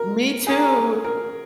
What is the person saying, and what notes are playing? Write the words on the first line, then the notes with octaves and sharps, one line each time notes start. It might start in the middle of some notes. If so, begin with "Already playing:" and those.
Me too.
Already playing: A#4
D#4 F#4 G#4 A#4
A#4